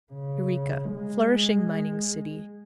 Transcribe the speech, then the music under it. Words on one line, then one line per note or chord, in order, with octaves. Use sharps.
Yreka.--Flourishing mining city.
C#3
G#3